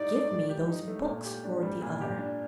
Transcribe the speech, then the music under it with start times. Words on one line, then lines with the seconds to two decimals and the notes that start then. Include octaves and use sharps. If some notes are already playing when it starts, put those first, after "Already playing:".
"Give me those books!" roared the other.
Already playing: A2 D#4 G4 D5
0.12 A3
0.30 A2
0.49 G4
0.68 D#4
0.88 A3
1.05 A#2
1.25 G4
1.44 D4
1.63 G3
1.82 A#2
2.01 G4
2.19 D4